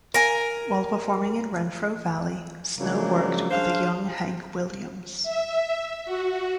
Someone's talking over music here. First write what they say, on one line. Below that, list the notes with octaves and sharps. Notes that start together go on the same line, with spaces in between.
While performing in Renfro Valley, Snow worked with a young Hank Williams.
A#4 G#5
C#3 F3 F#3 G#3 A#3 D4
D4 G#4 C5 F5
E5
F#4